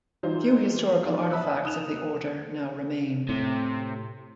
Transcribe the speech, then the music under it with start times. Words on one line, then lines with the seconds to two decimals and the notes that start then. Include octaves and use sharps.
Few historical artifacts of the Order now remain.
0.23 E3 F#3 G3 D#4 F4 C5
1.04 B3 D#4 D5
1.30 E5 A5 B5 D#6 E6 F#6
1.64 D#4 D#6 F#6 E7 F7
3.29 A2 C3